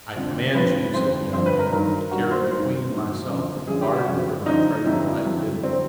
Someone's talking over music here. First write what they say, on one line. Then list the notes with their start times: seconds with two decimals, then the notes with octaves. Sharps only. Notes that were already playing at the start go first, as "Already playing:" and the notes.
"I command you," said the young man, "to carry the queen and myself to the garden where my treasure lies hidden."
0.16 F2 D3 F3
0.55 F2 D3 F3 B4
0.94 F2 D3 F3 C5
1.33 F2 D3 F3 C5
1.46 B4
1.59 A#4
1.72 G2 D#3 F#3 A#4
2.11 G2 D#3 F#3 F#4
2.31 C5
2.51 G2 D#3 F#3 C5
2.90 G2 D#3 F#3
3.29 F#2 D3 F3
3.68 F#2 D3 F3 G#4
3.81 G4
3.94 F#4
4.07 F#2 D3 F3
4.46 F#2 D3 F3 D#4
4.72 D#4
4.85 F2 D3 F#3 E4
5.25 F2 D3 F#3
5.63 D3 F#3 C4